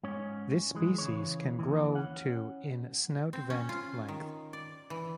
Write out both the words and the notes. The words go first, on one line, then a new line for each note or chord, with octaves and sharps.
This species can grow to in snout–vent length.
G#2 C#4 C#5
E3 G#3
C#3 E3 C#5
D#2 E3
C#4 F#5
C4
C#4
F4
D#3
D5
E3